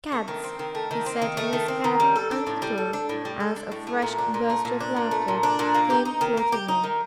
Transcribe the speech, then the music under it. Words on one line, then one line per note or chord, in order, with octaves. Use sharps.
"Cads!" he said in a scathing undertone, as a fresh burst of laughter came floating in.
A3
D#3
C4
D#3
A3
D#3
C4
D#3
A3
D#3
C4
D#3
G3
A4
D4
A2
G3
A4
D4
A2
G3
A4
D4
A2
A3
A#2
D4
A#2
A3
A#2
D4
A#2
A3
A#2
D4
A#2
A#3
G4
D#4
D#3
A#3
G4
D#4
D#3